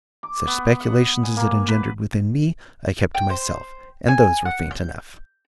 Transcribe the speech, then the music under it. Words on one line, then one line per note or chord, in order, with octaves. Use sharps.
Such speculations as it engendered within me I kept to myself, and those were faint enough.
D6
B3
F#5
G#5
A#3
B4
G5
C5
G#5
F#5
G6